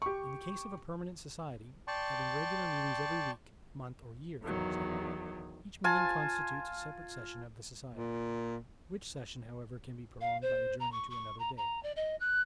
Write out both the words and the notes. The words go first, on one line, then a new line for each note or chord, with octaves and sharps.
In the case of a permanent society, having regular meetings every week, month, or year, for example, each meeting constitutes a separate session of the society, which session however can be prolonged by adjourning to another day.
G4 C#6
D5 G5 A5 C6 C#6
E2 D#3 F#3
F4 G#5 A5
A#2
F5
C5
A#5
C#6
C#6
A#5
A#5
D5
D#5
F#6